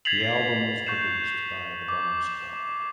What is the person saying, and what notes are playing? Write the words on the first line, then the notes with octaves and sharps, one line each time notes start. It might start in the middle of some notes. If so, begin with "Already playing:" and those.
The album was produced by the Bomb Squad.
G#6 A6 B6 C7 F7 F#7
C#6 G6 C7 E7
D6